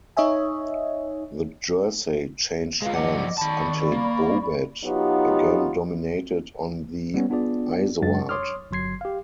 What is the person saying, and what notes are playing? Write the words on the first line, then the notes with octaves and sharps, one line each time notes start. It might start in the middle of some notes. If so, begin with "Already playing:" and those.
The jersey changed hands until Bobet again dominated on the Izoard.
D#4 C#5 D#5 E5 G#5
G#3 F4 B4 F5
G2 F3 D5 D#5 F#5 D6
D#3 D5 A5 B5 C#6
A#3
F#3 B3 D#4 F4 G4
G3 B3 C#4
B3 D4 F4 G#4 D5
F#2 F#3 G#3 D4 A6
C#5 C6 D6 D#6 F6
G1 F#3 C6 G#6 C7
G4 F5